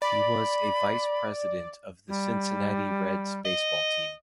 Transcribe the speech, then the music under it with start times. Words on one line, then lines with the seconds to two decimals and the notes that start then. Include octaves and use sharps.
He was a vice president of the Cincinnati Reds baseball team.
0.02 D5 B5
2.08 G3
3.45 D#5